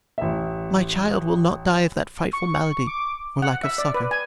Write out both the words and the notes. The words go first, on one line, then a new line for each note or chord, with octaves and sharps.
My child will not die of that frightful malady, for lack of succor.
A1 E5
C#6
D6
F#5
E5
D5
B4
G#5